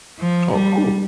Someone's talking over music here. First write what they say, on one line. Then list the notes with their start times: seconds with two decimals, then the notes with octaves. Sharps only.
Oh, cool.
0.19 F3
0.53 G3